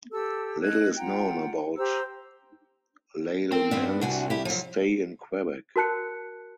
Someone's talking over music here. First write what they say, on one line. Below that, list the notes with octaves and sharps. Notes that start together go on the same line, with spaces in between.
Little is known about Lalemant's stay in Quebec.
G4 A4 E6
D#5 F#6 G#6
F4 F#5 G5 A#5
G4 C5 A#5 E6
C4 A#4 G5
G2 B3 D4
C2 D4 F#4 G#5
E4 G4
F3 F#3
F#4 A#4 A5 F#6 C#7